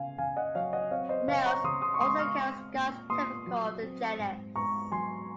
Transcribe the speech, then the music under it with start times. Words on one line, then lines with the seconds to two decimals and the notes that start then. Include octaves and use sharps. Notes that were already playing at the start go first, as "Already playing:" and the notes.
Males also carry scars typical of the genus.
Already playing: C#3 F5 G#5
0.18 C#3 F5 G#5
0.36 D#5 F#5
0.55 F#3 C#5 F5
0.73 D#5 F#5
0.91 C4 C#5 F5
1.09 C5 D#5
1.28 C#3 C#5 F5
1.46 A#5 C#6
1.64 C#3 C6 D#6
1.82 C6 D#6
1.94 C#6
2.01 G#3 C6 D#6
2.19 C#6 F6
2.37 C4
2.73 A#2
3.10 A#2 C6 D#6
3.46 F#3
3.83 C4
4.19 G#2
4.56 G#2 A#5 C#6
4.92 F#3 G#5 C6